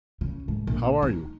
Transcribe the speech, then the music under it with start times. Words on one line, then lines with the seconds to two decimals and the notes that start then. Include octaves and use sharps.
"How are you?"
0.21 C#3
0.48 G#2
0.67 A#1
1.03 D#4